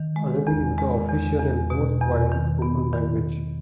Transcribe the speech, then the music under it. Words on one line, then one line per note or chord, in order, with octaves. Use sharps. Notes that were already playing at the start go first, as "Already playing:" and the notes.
Arabic is the official, and most widely spoken, language.
Already playing: D#3
G#3
E2
G#3
E2
E2
B2
E2
D#3
B3
D#3